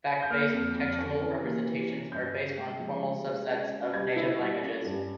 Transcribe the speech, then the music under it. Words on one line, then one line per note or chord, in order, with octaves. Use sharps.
Fact-based textual representations are based on formal subsets of native languages.
G6
A#3 F6
F2
F2
C#4
E3
A#3
E3
C#4
G2 G6
C#4
G#3
F3
G#3
G#3
C#4
C#4
G3 G#6
E4
G3
C#4
G2